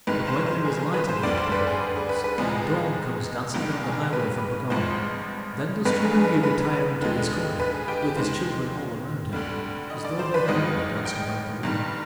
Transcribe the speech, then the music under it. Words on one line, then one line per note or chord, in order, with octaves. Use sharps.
But when there is light again upon the worlds, and dawn comes dancing down the highway from Pegana, then does Triboogie retire into his corner, with his children all around him, as though they had never danced about the room.
G1 G2 D#3 G#3 B4
C5
C5
G#4
G#4
B4
C5
D2 D3 G3 D5
C5
B4
G#4
G#4
B4
B4
C2 C3 F3 G#3 G#4
G#4
G#4
G1 G2 D#3 G#3 G4
G#4
B4
G#1 G2 F3 G#3 C5
G1 G2 D3 G#3 B4
G#4
G#4
B4
B4
D#2 D3 F3 G#3
B4
G#4
G4
G4
D#2 D#3 G#3 C5
D2 D3 G3
D#5
D5
C5
B4
G#1 G2 D#3 G#3 D#5
G5
G1 G2 D#3 G3